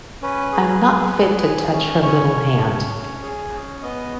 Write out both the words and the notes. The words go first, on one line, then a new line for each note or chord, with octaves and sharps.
I'm not fit to touch her little hand.
C#4 B4
G#4
G#4
G#4
G#4
C#4
C#4 C#5
C#4
C#4
C#4
G#4
C#4
B3 D#5